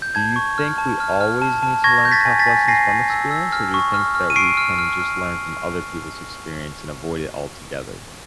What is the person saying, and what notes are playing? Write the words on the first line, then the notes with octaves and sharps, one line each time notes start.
do you think we always need to learn tough lessons from experience, or do you think that we can just learn from other people's experience and avoid it altogether?
G6
A5 G#6
C#6
F6
A5
F6
F6
A5
A5
C#6 G#6 A#6
G6
A6 B6
G#5
A6 B6
G#5
G#5 A#6 C7
G#5
E6
E6
F6
C#6
F6
F6
D#7
C#6 C7 D7
F6
F6
F6